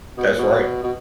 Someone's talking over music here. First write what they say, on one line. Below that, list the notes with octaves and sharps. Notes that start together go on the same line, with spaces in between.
That's right.
B2
A#2
B2
B2